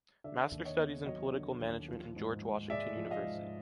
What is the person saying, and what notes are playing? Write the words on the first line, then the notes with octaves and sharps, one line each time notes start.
Master Studies in Political Management in George Washington University.
D3 D5 E5
D#2
C#5 D#5
B3
F#3 C#5 D#5
D3
D#2
F3
G#2
G#2
G#3 D5 E5
F3
D#5 F5
G#2